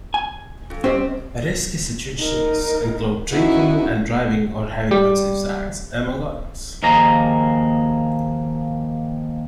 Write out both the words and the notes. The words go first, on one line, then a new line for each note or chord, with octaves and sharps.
Risky situations include drinking and driving or having unsafe sex among others.
G#5
F2
C4 C#4 G4
D#4 A#4
B3 C#4 D#4 E4 F#4
G3 G4
D#2 F3 A#3 G#4 A#5